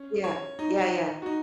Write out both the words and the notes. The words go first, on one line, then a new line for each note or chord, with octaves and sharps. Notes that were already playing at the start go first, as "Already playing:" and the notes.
Yeah. Yeah, yeah.
Already playing: C#4
C#5
D#4
F#4
D#4